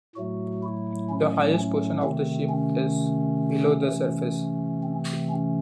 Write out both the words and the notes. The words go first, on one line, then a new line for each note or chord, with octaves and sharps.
The highest portion of the ship is below the surface.
A2 F#3 A3 F#4
E4
C#4
C#4
C3 D#3 A3 C4
C#4
C3 E3 A3
C4
C#4